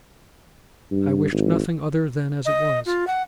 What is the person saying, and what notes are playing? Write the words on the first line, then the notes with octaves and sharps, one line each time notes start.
I wished nothing other than as it was.
G2
G#1
D#5
F4
F#5